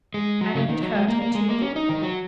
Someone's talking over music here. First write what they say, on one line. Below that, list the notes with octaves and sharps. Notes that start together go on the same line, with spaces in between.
Annie had hurt her too deeply.
G#3
F#3
C#3
D#3
F#3
G#3
A#3
A#3
G#3
A#3
C#4
D#4
D#3
F#3